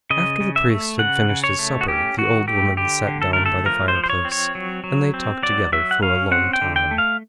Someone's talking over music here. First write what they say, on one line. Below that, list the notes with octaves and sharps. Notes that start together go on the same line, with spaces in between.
After the priest had finished his supper the old woman sat down by the fire-place, and they talked together for a long time.
C#3 D#5
C#3
E5
A3
C#3 F#5
C#3
C#5
A3
F#4
C#4 G4
D#3 F#4
A3 G4
D3 G4
D3
A4
A3 A#4
A4
F3 A#4
C5
F3
C5
C#5
C4
C#5
F#3
F#3
C4
F#3 D5
F#3 E5
F#5
C#4 F5
C4 F#5
G5
D3
G5
A3
F5